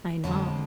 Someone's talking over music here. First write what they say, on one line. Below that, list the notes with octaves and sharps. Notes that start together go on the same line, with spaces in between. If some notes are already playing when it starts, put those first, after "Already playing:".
I know.
F2 D3 F3 G#3 C#5